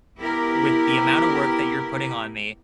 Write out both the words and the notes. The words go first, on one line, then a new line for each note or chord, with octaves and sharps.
with the amount of work that you're putting on me,
B3 E4 G4 A#4